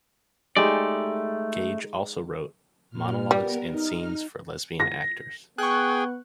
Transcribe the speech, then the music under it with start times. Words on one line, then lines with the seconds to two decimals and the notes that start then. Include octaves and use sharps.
Gage also wrote "Monologues and Scenes for Lesbian Actors".
0.57 G#3 A3 D#4 G4 D5
2.90 A#2 F6
3.31 G3 B3 A#4
3.68 D#4 F6
4.80 A#6
5.58 B3 G#4 G5 C#6 F#6